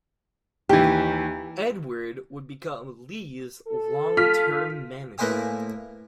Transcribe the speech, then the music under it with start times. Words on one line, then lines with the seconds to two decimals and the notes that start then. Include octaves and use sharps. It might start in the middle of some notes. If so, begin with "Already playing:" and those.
Edwards would become Lee's long-term manager.
0.69 D#2 E3 G4
3.68 A4
4.17 F4 F6 B6
5.18 A2 A#3 B4 C5 G#5 D#6